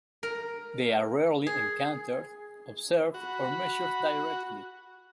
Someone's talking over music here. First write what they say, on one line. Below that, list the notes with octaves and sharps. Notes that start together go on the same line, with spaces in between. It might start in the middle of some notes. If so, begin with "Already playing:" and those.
They are rarely encountered, observed or measured directly.
A#4
G#4
F#4 B5